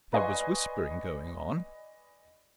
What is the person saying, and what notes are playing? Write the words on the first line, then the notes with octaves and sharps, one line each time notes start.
There was whispering going on.
B4 D5 D#5 G#5 C6 C#6